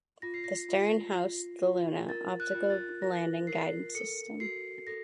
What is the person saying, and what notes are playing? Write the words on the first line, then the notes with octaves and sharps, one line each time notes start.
The stern housed the "Luna" optical landing guidance system.
F4 A#6
C7
A#6
F4
F4
F4
A#4 A6
F#6
F4
A6
A#4 A#6
A#4 C7
A4 C#7
F#4 C7
A4 A#6